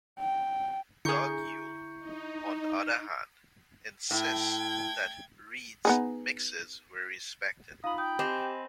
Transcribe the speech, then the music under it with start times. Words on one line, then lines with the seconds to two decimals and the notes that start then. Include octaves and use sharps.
Doug Yule, on the other hand, insists that Reed's mixes were respected.
0.19 G5
1.05 D3 E4 G#4 C#6 G6 C#7
1.99 D#4
4.11 A2 G5 G#6
5.85 B3 D#4 G#4
7.84 D#4 F4 F5 B5 D#6
7.98 G5 D#6
8.19 C4 G4 D#5 G#5 B5 D6 E7